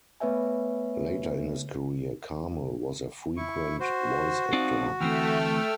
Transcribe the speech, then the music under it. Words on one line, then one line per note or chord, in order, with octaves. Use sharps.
Later in his career, Carmel was a frequent voice actor.
A3 B3 B4 C#5 E5 G#5
E4 C#6
F#4 C5
F3 C4 D#4 D5
D2 E3 A3 C4 G5 E6 F6